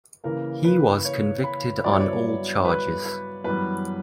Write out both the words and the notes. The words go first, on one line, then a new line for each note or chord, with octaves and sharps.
He was convicted on all charges.
C#3 E3 A#3 A#4
B4
C#5
B5
G2 F#3 B3 E4 D5
C#5
D5
B4
B4
F#2 E3 G3 B3 B4